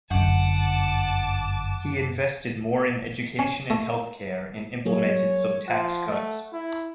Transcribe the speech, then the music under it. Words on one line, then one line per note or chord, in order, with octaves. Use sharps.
He invested more in education and health care, and implemented some tax cuts.
G1 F#2 D3 F#5 A5 D6
C#4
A3
F#3 A#3 G#4 C#5
F3 F#5
A3
E4